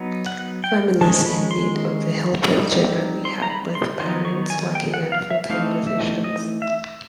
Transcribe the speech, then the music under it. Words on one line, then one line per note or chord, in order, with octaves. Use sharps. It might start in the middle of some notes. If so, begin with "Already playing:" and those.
Families in need of the helpers generally have both parents working at full-time positions.
Already playing: F#3 B3 D#4
F#5
G5
D#3 G#3 C#4 A5
B5
C6
G3 C4 D#4
C6
A#5
B5
C6
D#3 F#3 B3 D#4 C6
C#6
G#5
G5
F#5
F5
E5
E3 A3 C4 D#4 F5
E5
D#5
E5